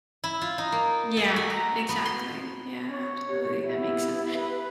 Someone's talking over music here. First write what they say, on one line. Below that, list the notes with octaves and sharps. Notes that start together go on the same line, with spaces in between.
Yeah, exactly yeah, absolutely, that makes sense
E4
F4
D#4
A#3
A4
F#4
A#5
B3
C6
C#5
G4
B3 E4
B4